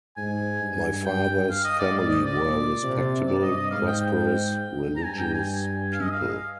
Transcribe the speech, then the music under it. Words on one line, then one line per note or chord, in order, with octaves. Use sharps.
My father's family were respectable, prosperous, religious people.
G#2 G#5
G2
G5
F5
D#5
D5
G#2 D5
D#5
D5
A#2
C3
G2 D5
D#5
D#5
G#2 F5
G5
G5
A#5
G2 G#5
G5
G#5
F5
D#5
F5